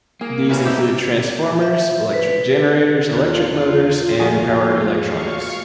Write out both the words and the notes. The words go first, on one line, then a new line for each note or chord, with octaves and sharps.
These include transformers, electric generators, electric motors and power electronics.
A#3 G#4
E3 A#3 C4 C#4 B4
A3 D#4 G4
E5
B4
E2 F4 F6 F#6
F3 A3 A#3 F#4 G#4
F5 C#6